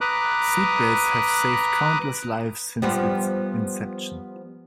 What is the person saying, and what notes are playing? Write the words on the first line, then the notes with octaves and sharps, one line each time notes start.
Seat belts have saved countless lives since its inception.
B4 A#5 D6 D#6 F#6
F3 G3 B3